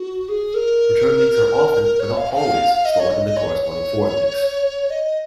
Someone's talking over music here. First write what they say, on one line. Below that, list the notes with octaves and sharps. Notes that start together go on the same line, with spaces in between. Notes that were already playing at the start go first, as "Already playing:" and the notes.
Return links are often, but not always, slower than the corresponding forward links.
Already playing: F#4
G#4
A#4
A#4
C#5
F5
F5
F5
D#5
C#5
D#5
D#5
C#5
C#5
D#5